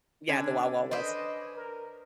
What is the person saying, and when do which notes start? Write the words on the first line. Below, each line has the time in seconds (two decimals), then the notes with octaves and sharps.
Yeah, the Wild Wild West.
0.29 D3 C#4 D4
0.91 B4 C5 D5 D#5
1.55 A#4